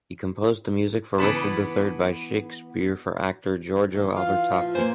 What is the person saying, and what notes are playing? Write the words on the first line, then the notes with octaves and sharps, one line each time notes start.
He composed the music for Richard the third by Shakespeare for actor Giorgio Albertazzi.
E3 B3 B4 A5
E3
F4
F3
A#3 B4 C5 G#5